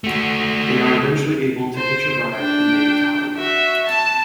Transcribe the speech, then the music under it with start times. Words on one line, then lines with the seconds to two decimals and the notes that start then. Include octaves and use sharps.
They are eventually able to hitch a ride and make it to Hollywood.
0.04 A3 F#4
1.76 C5
2.34 D4 G5
3.37 F#4 E5
3.86 A5